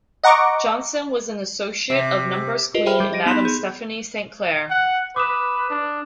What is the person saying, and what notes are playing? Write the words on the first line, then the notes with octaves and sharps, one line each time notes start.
Johnson was an associate of numbers queen Madame Stephanie Saint Clair.
D#5 F#5 A#5 C#6 D6
C3
F4 G4 A#4 B4 D#5
G#4 C5 E5 G5 B5 F6
G3 G4
D#5 A#6 D7 D#7
B3 D#4 B5 C6 E7 F7
G#4 G6
F#5
B4 D6 D#6 E7
D4